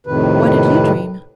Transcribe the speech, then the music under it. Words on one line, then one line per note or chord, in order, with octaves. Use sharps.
'What did you dream?'
F2 A2 C3 D#3 B4